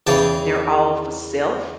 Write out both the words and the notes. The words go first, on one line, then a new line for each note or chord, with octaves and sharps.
they're all for self,
E2 C#3 E3 G5 A5